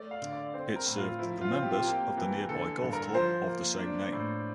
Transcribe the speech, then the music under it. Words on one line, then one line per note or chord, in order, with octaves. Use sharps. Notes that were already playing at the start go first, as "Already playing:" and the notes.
It served the members of the nearby golf club of the same name.
Already playing: A3 D5
F5
D3
D5
C4 C5
A#4
A2
F4
F3 E4
F4
C4
G4
F4
A#3 G4
E3
D3 A4
G2
A#4
F3 C5
A#3
D4
A2